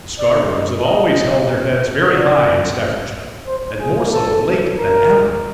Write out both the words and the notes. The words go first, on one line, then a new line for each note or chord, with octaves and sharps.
The Scarboroughs have always held their heads very high in Staffordshire, and more so of late than ever.
D5
D#5
D#5
D5
C5
G#4
A4
A#4